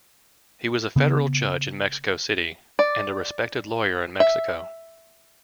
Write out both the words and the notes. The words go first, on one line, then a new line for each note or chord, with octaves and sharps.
He was a federal judge in Mexico City, and a respected lawyer in Mexico.
C#3 B3
D5
E5